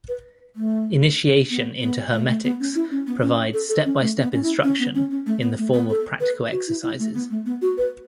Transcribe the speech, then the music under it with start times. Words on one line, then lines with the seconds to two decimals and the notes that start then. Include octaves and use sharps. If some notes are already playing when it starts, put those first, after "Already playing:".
"Initiation into Hermetics" provides step-by-step instruction in the form of practical exercises.
0.09 B4
0.56 A3
1.50 B3
1.82 B3
2.12 A3
2.29 A3
2.44 B3
2.60 C#4
2.75 E4
2.91 C#4
3.07 B3
3.22 C#4
3.54 A4
3.69 A4
3.85 C#4
4.01 A3
4.18 C#4
4.22 B3
4.33 C#4
4.43 E4
4.64 C#4
4.79 B3
4.95 C#4
5.11 C#4
5.26 A3
5.42 B3
5.58 A3
5.73 B3
5.89 A4
6.21 B4
6.52 F#4
6.67 E4
6.83 E4
6.99 A3
7.15 B3
7.30 A3
7.46 B3
7.62 F#4
7.78 B4